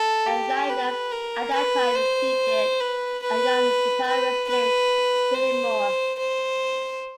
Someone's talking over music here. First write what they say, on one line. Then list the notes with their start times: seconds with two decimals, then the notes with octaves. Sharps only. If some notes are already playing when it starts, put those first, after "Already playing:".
The lineup at that time included a young guitarist named Vinnie Moore.
Already playing: A4
0.26 G4
0.69 B4
1.11 A#4
1.53 B4
1.96 C5
2.80 B4
3.23 B4
4.07 B4
4.49 B4
5.35 C5
6.19 C5